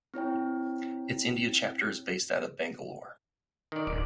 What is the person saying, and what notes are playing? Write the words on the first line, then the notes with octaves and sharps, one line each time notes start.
Its India chapter is based out of Bangalore.
C4 E4 C#5 G5
D#3 D5
D1 D5